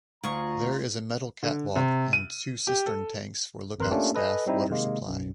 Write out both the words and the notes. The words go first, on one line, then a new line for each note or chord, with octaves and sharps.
There is a metal catwalk and two cistern tanks for lookout staff water supply.
D2 F4 G#4 A#5 C#6
D3
C3
D#7
G4
A4
G#1 F2 A#4 B4 C6 F#6
A3 A#3 C#4 D4 F4 G4
A4 B4 D#5 G#5
G3 C4 D#4 E4
C3 D#3 G#3 A#3
B1 F#2